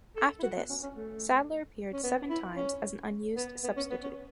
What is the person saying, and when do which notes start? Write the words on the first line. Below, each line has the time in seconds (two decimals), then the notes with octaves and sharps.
After this, Sadler appeared seven times as an unused substitute.
0.16 A4
0.39 E4
0.43 F#4
0.57 B3
0.70 C#4
0.83 C#4
0.96 A3
1.93 C#4
2.03 B3
2.30 E4
2.57 C#4
3.37 B3
3.64 B3
3.77 C#4
3.91 B3
4.03 C#4